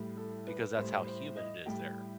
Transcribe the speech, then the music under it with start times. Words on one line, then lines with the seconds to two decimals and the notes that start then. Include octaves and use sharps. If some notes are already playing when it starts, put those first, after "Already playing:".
because that's how humid it is there.
Already playing: A2 G3
0.17 A4
0.47 B4
0.77 A2 G3 C5
1.07 C5
1.37 D#5
1.66 A2 G3 G5